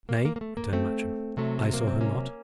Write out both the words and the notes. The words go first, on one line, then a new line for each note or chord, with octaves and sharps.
"Nay," returned Matcham, "I saw her not."
A#3
A#3
A#3
A3
A#3
A3 C4
C3 F#3 A3
A3
A#3
C4
A#3 C#4